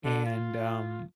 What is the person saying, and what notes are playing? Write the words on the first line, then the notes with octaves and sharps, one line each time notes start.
And, um,
D3
F4